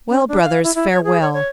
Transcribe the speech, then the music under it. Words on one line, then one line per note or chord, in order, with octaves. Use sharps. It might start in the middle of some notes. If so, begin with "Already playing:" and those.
'Well, brothers, farewell!
C#4
D4
F5
E4
E4
C#5
G#4
C#5
C#5